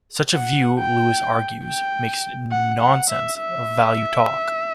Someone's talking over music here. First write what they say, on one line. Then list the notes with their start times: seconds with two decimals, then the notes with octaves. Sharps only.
Such a view, Lewis argues, makes nonsense of value talk.
0.34 F#5
0.78 G5
1.65 G5
2.52 F#5
2.81 F#5
3.10 E5
3.38 E5